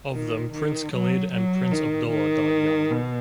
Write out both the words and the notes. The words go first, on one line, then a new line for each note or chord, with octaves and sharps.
Of them Prince Khalid and Prince Abdullah died young.
D#3
D#3
F#3
F#3
D#3
D#3
B2